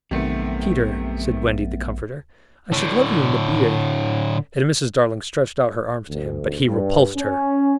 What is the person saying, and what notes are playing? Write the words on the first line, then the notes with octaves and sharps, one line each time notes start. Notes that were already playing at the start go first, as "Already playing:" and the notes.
"Peter," said Wendy the comforter, "I should love you in a beard;" and Mrs. Darling stretched out her arms to him, but he repulsed her.
A#1 F#2 C3 D#3 A3 B3
A2 D3
D2
G2
C#4